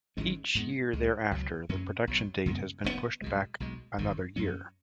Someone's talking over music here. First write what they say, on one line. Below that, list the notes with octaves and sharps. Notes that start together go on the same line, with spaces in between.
Each year thereafter the production date has been pushed back another year.
G#1 G#2 G#3 C#4
G#2 G#3 B3
C#2 C#3 G#3
C#2 B2 F#3
F#2 F#3 C#4
B1 B2 F#3
F#2 C#3 G#3 B3
F#1 F#2 C#3 B3
B1 B2 G#3
B1 B2 G#3
G#1 F#2 C#3
F#2 F#3 C#4